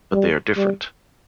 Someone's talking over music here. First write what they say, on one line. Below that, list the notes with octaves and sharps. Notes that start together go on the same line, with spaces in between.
But they are different.
G3
G3